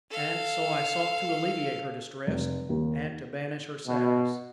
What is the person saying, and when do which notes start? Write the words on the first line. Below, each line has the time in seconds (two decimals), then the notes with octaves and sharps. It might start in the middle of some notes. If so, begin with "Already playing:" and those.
And so I sought to alleviate her distress and to banish her sadness.
0.10 A4 F5
2.27 F1
2.69 D#2
3.87 B2